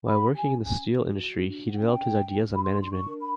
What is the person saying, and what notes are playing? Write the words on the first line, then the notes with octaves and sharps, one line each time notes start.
While working in the steel industry he developed his ideas on management.
G4 B5
G#5
C#4
G#5
F#4
D4
F#5
C#4 G5
C#4
B5
D4 C6
C6
C#6
A#4
B5